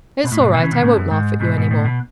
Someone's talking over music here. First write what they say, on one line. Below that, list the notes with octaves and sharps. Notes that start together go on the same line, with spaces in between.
It's all right; I won't laugh at you any more.
B2
A2
G#2 B2
B2 D#3
C#3 E3
B2 D#3
A2 C#3
F#2
G#2
G#2 B2
G#2
A2
B2